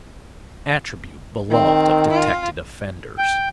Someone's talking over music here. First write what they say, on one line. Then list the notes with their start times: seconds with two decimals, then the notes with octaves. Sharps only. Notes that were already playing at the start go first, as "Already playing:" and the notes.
An attribute beloved of detected offenders.
1.50 D#3 C4
2.10 F4
3.18 G5